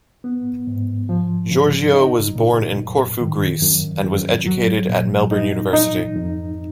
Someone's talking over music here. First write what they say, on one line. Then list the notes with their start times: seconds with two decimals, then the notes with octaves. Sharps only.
Georgiou was born in Corfu, Greece, and was educated at Melbourne University.
0.24 B3
0.67 G#2
1.09 F3
1.51 C#3
1.93 D#4
2.35 A#2
2.78 F#2
3.20 D#3
3.62 F#2
4.05 F#2
4.46 F#3
4.89 A#2
5.31 D#4
5.73 D#4
6.16 F2